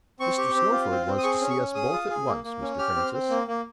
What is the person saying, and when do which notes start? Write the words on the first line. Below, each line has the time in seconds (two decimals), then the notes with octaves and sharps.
Mr. Snowford wants to see us both at once, Mr. Francis.
0.20 C4 C#6
0.38 G4
0.54 C4
0.72 F4
0.90 C4
1.06 C4
1.18 D#6
1.23 G#4 C#6
1.41 C#4
1.50 C#6
1.58 C#4
1.75 G#4 D#6
1.93 F4
2.10 G#4
2.27 A#3
2.44 A#3
2.61 C#4
2.79 G4 F6
2.96 C4
3.13 C4
3.30 A#3
3.47 A#3